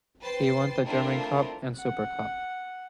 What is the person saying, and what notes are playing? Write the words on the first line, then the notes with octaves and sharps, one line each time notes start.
He won the German Cup and Super Cup.
B4 C5 G5 A6 C7
A3 C4 D4 E4 F4 A#4
F#5